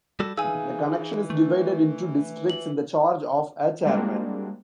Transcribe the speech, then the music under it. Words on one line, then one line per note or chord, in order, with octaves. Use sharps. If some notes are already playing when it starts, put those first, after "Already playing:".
The connexion is divided into Districts in the charge of a Chairman.
G3 F#4 A4
E3 D#4 G#4 F5 G#5 E6
A3
F#7
G3 G#3 A#3 C4 D4 F#4